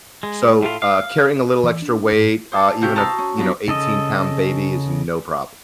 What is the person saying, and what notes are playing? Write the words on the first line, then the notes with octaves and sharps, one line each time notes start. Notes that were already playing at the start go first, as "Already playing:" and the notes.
So, uh, carrying a little extra weight, uh, even if, you know, eighteen-pound baby is no problem.
G#3
A2 A3 F4
F5
E3
D4
G#2
C5 G#5 A5
C3 E4 F#4 F5 C#6 G6
A5 A#5 C6 C#6 D#6 E6
C#4
F#3 B3 D4 D#4 F4 B4
C#3 A4 D#5